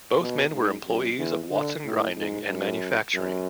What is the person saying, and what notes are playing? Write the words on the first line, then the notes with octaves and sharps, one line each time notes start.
Both men were employees of Watson Grinding and Manufacturing.
B2
G#2
F#2
E2
D3
A2
G#2
F#2
F#2